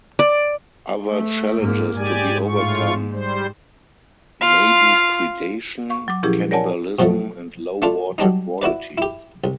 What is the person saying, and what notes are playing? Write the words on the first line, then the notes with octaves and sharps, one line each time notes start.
Other challenges to be overcome may be predation, cannibalism, and low water quality.
D5
A3
G#2 A#3
G#2 G4 D5 G#5
A2 F4 C#6
G3 C5
F4 F5
F5 C#6
F#3 D6
A#2 F3 C#4 E4 G4 G#4
A#4 C#5 D5 F#5 G#5 A5
B2 F3 F#3 A3
A3 D4 F4
F#3 G3 D4 D#4
E4 F#4 B4 D5
E4 G4
C2